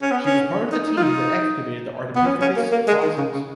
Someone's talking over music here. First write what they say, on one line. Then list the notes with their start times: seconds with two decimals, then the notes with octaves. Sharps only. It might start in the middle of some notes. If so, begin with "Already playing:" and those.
She was part of the team that excavated the Ardipithecus fossils.
0.02 C#4
0.11 B3
0.26 C#4
0.72 D#4
0.87 D#4
0.97 F4
1.02 D#4
2.15 B3
2.26 C#4
2.41 C#4
2.56 A#3
2.71 A#3
2.88 G#3
3.02 D#3
3.18 C#3
3.33 C#3